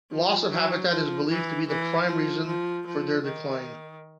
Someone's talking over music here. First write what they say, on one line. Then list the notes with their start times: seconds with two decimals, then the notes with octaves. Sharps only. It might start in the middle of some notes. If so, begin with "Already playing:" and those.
Loss of habitat is believed to be the prime reason for their decline.
0.11 F3
0.50 F#3
0.89 F3
1.29 E3
1.67 E3
2.07 F3
2.46 F3
2.86 F3
3.24 D#3